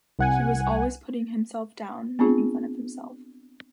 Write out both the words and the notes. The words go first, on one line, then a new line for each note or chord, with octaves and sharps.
He was always putting himself down, making fun of himself.
C2 F#5 G#5
B3 C4 D4 F4 G#4